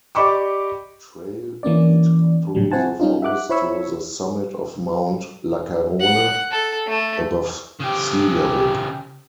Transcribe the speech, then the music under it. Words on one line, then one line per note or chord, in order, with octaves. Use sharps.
Trail lead through the forest to the summit of Mount Lacerone, above sea level.
G4 D5 D#5 B5 C#6 D6
E3 A#3 C#4 D5
A2 C#3 F#3 G3
C4 E4 C5 F#5 G#5 A5
G3 C#4 D#4 F4
E5 F#5 D6 F#6
E4 C5 C#5 B5 C#6 E6
F#5
A4
A3
C#3 G4